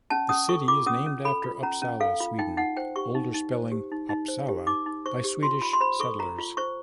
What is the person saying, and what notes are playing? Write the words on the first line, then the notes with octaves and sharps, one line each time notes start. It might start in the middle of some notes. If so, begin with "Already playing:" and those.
The city is named after Uppsala, Sweden, older spelling Upsala, by Swedish settlers.
C#4 A5
C#4 D#6
A4 C#6
F4 D6
C#4 D#6
C#4
A4 B5
F4
C#4 A#5
C#4
A4 F5
F4
D#4 G5
D#4 F#5
C5 G5
G4 C#6
D#4
D#4
C5
G4
D#4
D#4
C5
G4
D#4 D6
D#4
C5 C#6
G4
F4 C6
F4 B5
C6
C5 B5
A4 C#6
F4 A#5
F4
C5 C#6